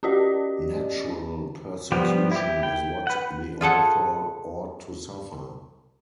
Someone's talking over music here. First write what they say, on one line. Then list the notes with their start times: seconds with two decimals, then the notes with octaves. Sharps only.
Natural persecution is what the author ought to suffer.
0.03 C#4 F#4 G4 D5 D#5
1.92 F3 G3 B3 G4
2.31 E4 G4
2.63 G5
3.07 B4 F#5
3.61 F4 G#4 A4 F#5